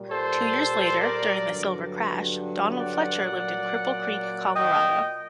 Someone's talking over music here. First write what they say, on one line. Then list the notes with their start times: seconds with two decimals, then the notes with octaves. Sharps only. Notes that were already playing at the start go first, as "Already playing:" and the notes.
Two years later, during the Silver Crash, Donald Fletcher lived in Cripple Creek, Colorado.
Already playing: A#2 G3
0.10 A4 C5
1.00 A#4 D5
1.44 G2 D3 F#3
2.78 D5 F#5
3.22 A#2 F#3
4.55 D#5 G5